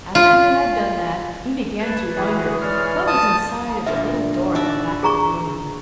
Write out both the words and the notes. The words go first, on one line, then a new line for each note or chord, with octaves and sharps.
After he had done that, he began to wonder what was inside of the little door at the back of the room.
F4
B4 A5 G#6
E3 F#4 G#4
G#3 C#5 D5 F6
F3 A5 D#6
G2 A#2 D3 E5
D#4 F#4 D5 E5
G#4 A#5 C#6